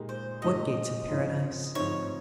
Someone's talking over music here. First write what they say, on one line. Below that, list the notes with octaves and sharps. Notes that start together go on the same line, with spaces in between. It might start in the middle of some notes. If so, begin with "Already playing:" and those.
"What gates of paradise?"
Already playing: A#2 G#3 D#4 G4
C5
A#2 G#3 D#4 G4 D#5
G#2 F3 C4 D#4
G#2 F3 C4 D#4 C#5